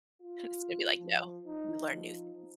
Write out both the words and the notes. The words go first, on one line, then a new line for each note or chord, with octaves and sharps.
It's gonna be like, no, you learn new things.
F4
F3
D#4
F3